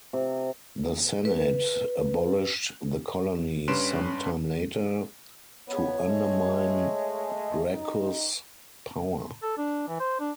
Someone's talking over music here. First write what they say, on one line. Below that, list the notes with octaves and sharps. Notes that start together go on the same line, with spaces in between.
The Senate abolished the colony some time later, to undermine Gracchus' power.
C3
B4
G2 C#4 B4 C6 D7 E7
C#2 B3 C#5
G#3 A3
D#4
A4
D4
E3
C5
D4